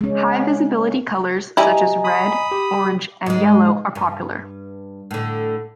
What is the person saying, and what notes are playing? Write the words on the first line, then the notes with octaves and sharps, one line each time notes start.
High-visibility colours such as red, orange and yellow are popular.
G#3 C#4
G3 E4 D#5 G#5 A#5
B5 D#6
G4
G#2 G#3
G2
A2 D3